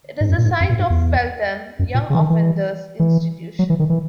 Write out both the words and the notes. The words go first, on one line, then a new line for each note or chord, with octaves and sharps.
It is the site of Feltham Young Offenders' Institution.
G#2
F#2
A#2
G#2
F#2
A#2
G#2
E2
F#2
A#2
C#3
E3
D#3
E3
E3
F#3
E3
D#3
E3